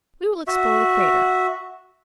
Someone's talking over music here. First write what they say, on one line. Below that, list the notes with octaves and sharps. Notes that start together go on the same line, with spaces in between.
We will explore the crater.
F#4 E5